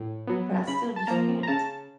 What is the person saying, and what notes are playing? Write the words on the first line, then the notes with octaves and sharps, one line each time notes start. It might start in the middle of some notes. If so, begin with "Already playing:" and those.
but I still just can't.
Already playing: A2
F#3 B3
C#3 B5
A5
F3 A#3 A#5
A#5
C#3 A5